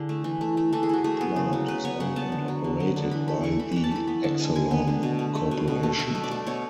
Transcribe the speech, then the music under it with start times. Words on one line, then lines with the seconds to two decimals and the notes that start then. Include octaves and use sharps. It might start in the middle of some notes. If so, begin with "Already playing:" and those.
The plant is owned and operated by the Exelon Corporation.
Already playing: D3 D4 E4 G#4
0.09 A3
0.24 E3
0.41 A3
0.57 A3
0.73 E3 A4
0.83 G#4
0.89 E3 F#4
1.04 A3 G#4
1.21 B3
1.36 C#3
1.53 F#3
1.68 C#3 B4
1.85 B3 C#5
2.00 C#3 F#5
2.16 B3 A5
2.32 D3
2.48 F#3
2.64 D3
2.80 B3
2.96 D3
3.11 E3 B5
3.28 A3 B5
3.43 A3 C#6
3.59 E3 B5
3.72 E3 B5
3.84 A5
3.92 A3 B5
4.07 B3 B5
4.24 D3 A5
4.39 G#3 G#5
4.56 D3 G#5
4.71 B3
4.88 D3
5.03 B2
5.19 A3
5.35 A3
5.51 B2
5.68 B2
5.83 A3
5.99 B2 E5
6.15 A3
6.24 D5
6.31 A3
6.47 B2 C#5